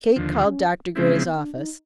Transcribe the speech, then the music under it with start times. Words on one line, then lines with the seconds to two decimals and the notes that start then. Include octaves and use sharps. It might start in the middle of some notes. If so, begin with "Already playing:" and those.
Kate called Dr. Gray's office.
0.08 C#4
0.16 D#2 D3 F3 D4
0.43 C#4
0.95 C#3 F3 G#3 C4 C#4 E4
1.16 B3
1.36 D4
1.55 D#4